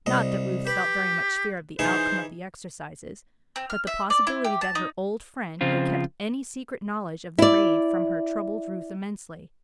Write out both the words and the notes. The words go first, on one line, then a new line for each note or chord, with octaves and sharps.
Not that Ruth felt very much fear of the outcome of the exercises; but the possibility that her old friend had kept any secret knowledge of the raid from her troubled Ruth immensely.
C2 D#5
G4 B4
E3 D#4 G#4 C5
C4
F6
E5
D5
E4
G4
A5
D#4
C#3 F3 C4 F4
E4 D5